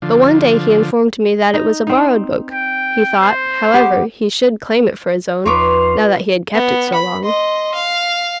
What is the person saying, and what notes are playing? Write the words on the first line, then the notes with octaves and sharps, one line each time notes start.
But one day he informed me that it was a borrowed book; he thought, however, he should claim it for his own, now that he had kept it so long.
D3 F3
D#4
C4 D#4
G5
C5
B3 G4
E2 F3 D#4 F4 B4 C#5 C6 D6
B3
B5
D#5 C6
F5